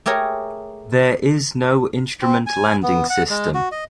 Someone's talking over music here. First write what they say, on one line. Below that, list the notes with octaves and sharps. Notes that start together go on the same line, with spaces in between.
There is no Instrument Landing System.
A3 G4 G#4 A#4 C#5
C4
G#5
B3
F#5
G#3
F#4
D#5